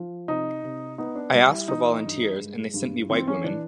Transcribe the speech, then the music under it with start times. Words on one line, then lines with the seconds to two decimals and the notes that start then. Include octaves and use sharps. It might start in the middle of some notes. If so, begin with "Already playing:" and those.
'I asked for volunteers and they sent me white women.
Already playing: F3
0.28 C3 D#4
0.63 C3
0.98 B3 D#4
1.16 D4
1.34 G3
1.51 E4
1.68 E3 D#4
2.04 G2
2.39 G#3
2.74 G2
3.09 E3 C4
3.27 C#4
3.44 E3 D4